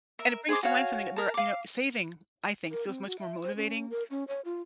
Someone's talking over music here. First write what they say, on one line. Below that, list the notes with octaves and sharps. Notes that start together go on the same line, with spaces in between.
and it brings to mind something th where, you know, saving, I think, feels much more motivating
A#4 E5
G#4 C5 D#5 D6
F#4 C#5 F5 G#5
A#4 A5
F5 D6
A#4
C4
F#4
E5
C5
C#4
A#4
C#4
C#5
F4